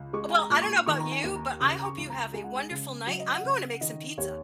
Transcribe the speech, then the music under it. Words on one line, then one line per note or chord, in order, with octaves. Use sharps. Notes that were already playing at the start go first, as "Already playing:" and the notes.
well, I don't know about you, but I hope you have a wonderful night. I'm going to make some pizza.
Already playing: C#2
G#3 C#6
G#5
A#5
A#2
C#6
D#3 C#6
A#5
G#5
D#2
A#5
C#3 D#6
A#5
C#6
C#2
A#5
G#3 G#5
F#5
G#5
C#3
F#3 F#5
D#5
F#5
C#3
D#3 D#5
D#2 C#5